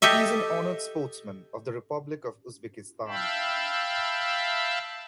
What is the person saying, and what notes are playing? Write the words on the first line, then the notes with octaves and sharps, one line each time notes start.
He is an Honored Sportsman of the Republic of Uzbekistan.
G4 A4 D#5 E5
E5 F5 G5 A5 B5